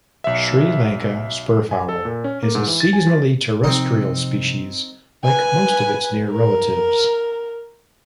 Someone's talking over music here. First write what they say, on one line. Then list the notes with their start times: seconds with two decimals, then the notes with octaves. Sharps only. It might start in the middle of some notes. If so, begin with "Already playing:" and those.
Sri Lanka spurfowl is a seasonally terrestrial species, like most of its near relatives.
0.24 B1 E5
1.71 G#5
1.89 A4
2.05 A#2
2.24 C#4
2.43 A#3
2.55 G#2
2.67 E3
2.80 A6
2.93 G#5
3.06 F3
3.64 C3 F3 C4 D#4
5.25 B4 G#5
6.31 A#4